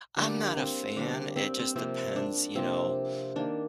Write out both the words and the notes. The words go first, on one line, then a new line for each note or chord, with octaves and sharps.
I'm not a fan. It just depends, you know, f
D3 G3 A#3 D4
C4
D3 G3 A#3 D4
C4
C4
C3 F3 A#3 C4
D4
C3 F3 A#3 C4
D#3 A#3 D4